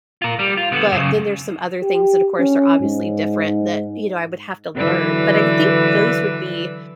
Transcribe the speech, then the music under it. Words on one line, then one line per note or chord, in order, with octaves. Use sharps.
But then there's some other things that, of course, are obviously different that, you know, I would have to learn. But I think those would be
F4 A#4
G3
F4
D3 B3
F#2 C#3
G4
C#4
G#2
D3 E3 F#3 B4 D5 E6